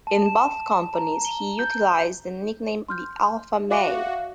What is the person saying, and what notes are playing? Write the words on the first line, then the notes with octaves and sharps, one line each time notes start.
In both companies, he utilized the nickname "The Alpha Male".
A5
E7
A#5
G7
G6
C6 F6 G6
F#4 D5 E5 F5 D6